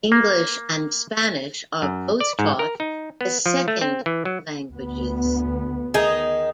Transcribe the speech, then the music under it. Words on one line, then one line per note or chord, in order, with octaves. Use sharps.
English and Spanish are both taught as second languages.
A#3
F#2
D5
G#2
A#4
D#4
B3
F3
A3
C4
E3
F#3
D2 B3
D#3 D#4 G#4 D#5